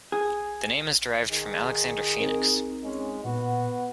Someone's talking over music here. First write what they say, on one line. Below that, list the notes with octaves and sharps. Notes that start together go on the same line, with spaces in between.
The name is derived from Alexander Phoenix.
G#4
D#3 G#4
C4 D#4 A#4
G#3 C#4
A#2 B3 F#4